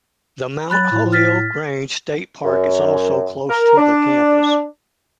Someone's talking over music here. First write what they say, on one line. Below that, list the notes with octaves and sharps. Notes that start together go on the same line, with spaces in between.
The Mount Holyoke Range State Park is also close to the campus.
F#3 B5 F#6 A6
A2
F6 A6 B6
F#2
A#4
D4